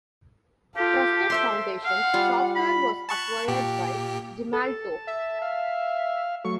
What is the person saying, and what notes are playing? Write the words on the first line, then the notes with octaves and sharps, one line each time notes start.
Trusted Foundations Software was acquired by Gemalto.
F4 G4 A4
A4 C5 E5 C6
F5 F#5
G3 F4
B5
A5 C#6 F#6
A#2 G4
A4 A5
E5
F5
F#3 A3 C#6